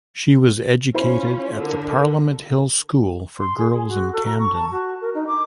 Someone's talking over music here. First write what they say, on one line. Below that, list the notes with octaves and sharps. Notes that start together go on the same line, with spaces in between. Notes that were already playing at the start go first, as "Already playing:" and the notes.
She was educated at the Parliament Hill School for Girls in Camden.
C#4 E4 F4 C5 B5
D3 A#4
C6
G#4
G#4
F#4
A4
A#5
C#6
A5
F#4
A#4
D#4
D6